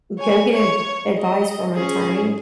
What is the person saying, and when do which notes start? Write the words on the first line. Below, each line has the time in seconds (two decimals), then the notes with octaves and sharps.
go get a advice from an attorney
0.18 C#5 G#5
0.51 C#5
1.18 D#5
1.75 C#4 G#4